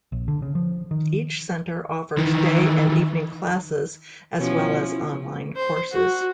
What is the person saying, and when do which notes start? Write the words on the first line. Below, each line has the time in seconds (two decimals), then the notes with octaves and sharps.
Each center offers day and evening classes as well as online courses.
0.12 A#1
0.28 D3
0.42 C#3
0.55 F3
0.91 D#3
2.18 D#3 E3
4.38 B2 F3 C#4 E4
5.56 C5
5.92 F#4